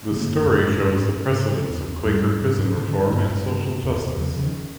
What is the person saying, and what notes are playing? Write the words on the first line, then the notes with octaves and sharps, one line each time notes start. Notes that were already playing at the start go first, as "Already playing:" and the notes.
The story shows the precedence of Quaker prison reform and social justice.
D3
A#3
F#2
A3
F#2
G#2 G#3
G#2
G#2
G#2
C#3
C#3
E2
E2
G#2 G3
G#2
G#2
G#2
D3
D3
G2
G2
C3
C3
E2
E2
C#3 F3
C#3
D#3